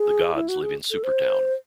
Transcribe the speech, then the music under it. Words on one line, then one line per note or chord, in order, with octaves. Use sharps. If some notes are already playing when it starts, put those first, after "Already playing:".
The gods live in Supertown.
Already playing: G#4
E4
F#4
G#4
A4
C5